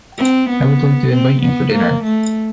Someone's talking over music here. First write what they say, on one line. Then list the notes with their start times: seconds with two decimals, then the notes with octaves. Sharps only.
I would like to invite you for dinner.
0.18 C4
0.49 B3
1.10 C4
1.41 B3
1.72 A#3
2.03 A3